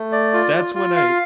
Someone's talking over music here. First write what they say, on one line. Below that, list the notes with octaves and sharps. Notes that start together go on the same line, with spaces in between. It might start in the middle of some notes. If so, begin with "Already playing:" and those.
That's when I y
Already playing: A3
D5
F4
F4
F4
F5